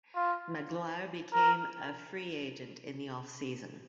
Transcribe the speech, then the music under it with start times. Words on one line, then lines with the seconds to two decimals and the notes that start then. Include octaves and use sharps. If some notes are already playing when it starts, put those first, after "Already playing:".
Magloire became a free agent in the off-season.
0.15 F4
1.33 A#4